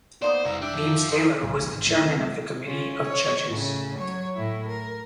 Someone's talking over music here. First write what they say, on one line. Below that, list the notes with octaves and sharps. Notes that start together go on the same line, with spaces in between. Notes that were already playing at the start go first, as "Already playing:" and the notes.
Deems Taylor was the chairman of the committee of judges.
A#3 B3 D#4 C5 D5 C6 D#6
C2 F2 A#5
D4 G4 E5 G5
F3
C5 D#5
B1 A2 F#3
B1 E2 D#3
G#1
E2 A2 F3
D#2 C3
C3 F#3 G#3 C4
C#4 F4
C#5
A2 C#3
F#3 C#5
A2 E4
A#4